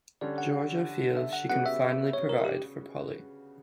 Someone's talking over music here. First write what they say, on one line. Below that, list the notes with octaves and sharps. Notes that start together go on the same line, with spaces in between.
Georgia feels she can finally provide for Polly.
D3 G3 C#4 D5
F#5
E5
F#5
C#3 G3 B3 F#4 F#5
E5
C#5
A#4
G4